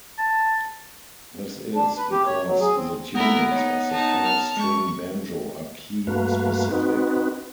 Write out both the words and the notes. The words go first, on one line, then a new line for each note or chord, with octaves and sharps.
This is because the tunings of the five-string banjo are key-specific.
A5
D4
B4
G4
C#5
F#3
G#4
C4
A#3 B3 E4 A4 A#4
D#4 C#5
D#4 A5
F6
G#3 C#6
G2 A3 A#3 F#4 B4 F5
C4 D#4 F#4 B4